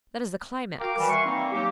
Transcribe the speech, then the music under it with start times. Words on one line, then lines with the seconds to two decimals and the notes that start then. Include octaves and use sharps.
That is the climax.
0.80 F#4 A#4 F5 G5 A#5 D6
0.97 E3 G3
1.09 E5 F#5 G#5 C6 C#6
1.25 G3 A#3 C4 D#4
1.52 F#3 A#3 G4